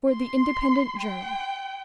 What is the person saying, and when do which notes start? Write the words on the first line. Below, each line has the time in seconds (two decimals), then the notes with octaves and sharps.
For the Independent Journal.
0.10 C6
0.99 G5